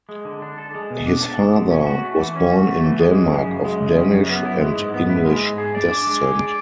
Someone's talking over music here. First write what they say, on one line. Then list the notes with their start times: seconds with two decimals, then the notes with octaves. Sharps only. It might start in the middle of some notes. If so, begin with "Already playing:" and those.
His father was born in Denmark of Danish and English descent.
0.09 G#3
0.25 D3
0.42 D4
0.58 A4
0.74 G#3
0.90 B2
1.06 D4
1.22 A4
1.38 G#3
1.54 B2
1.71 C#4
1.87 F#4
2.03 A3
2.20 E3
2.36 C#4
2.51 F#4
2.68 A3
2.84 E3
3.00 G#3
3.15 F#2
3.32 C#3
3.48 F#2
3.64 G#3
3.81 F#2
3.96 C#3
4.13 F#2
4.29 B3
4.45 E4
4.61 G#3
4.77 G#2
4.94 B3
5.10 E4
5.25 G#3
5.43 G#2
5.58 G#4
5.75 D5
5.90 D4
6.07 G#3
6.23 G#4
6.39 D5